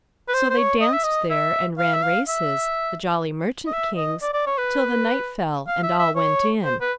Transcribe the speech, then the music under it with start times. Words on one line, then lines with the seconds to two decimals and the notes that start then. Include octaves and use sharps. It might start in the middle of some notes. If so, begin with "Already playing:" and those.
So they danced there and ran races, the jolly merchant kings, till the night fell, and all went in.
0.28 B4
0.34 C5
0.50 C5
0.58 C#5
0.81 D#5
0.93 E5
1.04 D#5
1.30 E5
1.78 F5
1.94 E5
2.03 F5
2.28 E5
3.67 D#5
3.73 E5
3.97 D#5
4.22 D5
4.33 D5
4.46 C#5
4.58 B4
5.67 F5
5.83 E5
5.99 E5
6.16 C#5
6.64 C5
6.81 B4